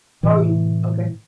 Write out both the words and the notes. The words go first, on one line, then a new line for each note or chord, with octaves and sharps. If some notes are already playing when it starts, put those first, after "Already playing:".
Oh, you okay.
A2 C3 E3